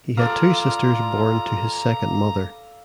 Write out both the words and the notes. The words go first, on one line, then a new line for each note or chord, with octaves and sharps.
He had two sisters born to his second mother.
F4 A4 D5 F5 A#5